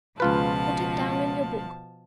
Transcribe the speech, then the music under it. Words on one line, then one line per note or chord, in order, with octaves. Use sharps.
"Put it down in your book."
C#2 B2 F3 F4 B4 A5